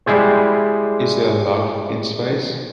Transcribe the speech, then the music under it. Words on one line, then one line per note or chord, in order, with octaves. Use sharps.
Is There Love in Space?
G3 G#3 E4 G#4 C5